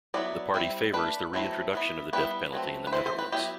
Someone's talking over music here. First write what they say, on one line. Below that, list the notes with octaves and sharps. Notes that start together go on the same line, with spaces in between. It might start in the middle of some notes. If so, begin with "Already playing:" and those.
The party favours the re-introduction of the death penalty in the Netherlands.
F#3 B3 E4 D5
G3 C4 E4
A3 D4 B4
F#3 A3 C4 E4
E3 B3 E4
G3 B3 E4 B4
F#3 A3 C4
B4
E3 A3 E4 C5
C5
B4
F#3 B3 E4 G4